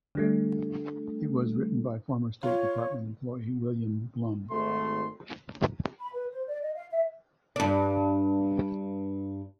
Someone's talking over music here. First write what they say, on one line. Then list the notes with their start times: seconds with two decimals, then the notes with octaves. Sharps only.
It was written by former State Department employee William Blum.
0.15 D3 G3 A3 D4 A4
2.43 F4 C#5
4.51 G#1 A3 C6
6.00 B5
6.13 B4
6.32 C5
6.47 D5
6.63 D#5
6.75 F5
6.90 E5
7.56 G2 D4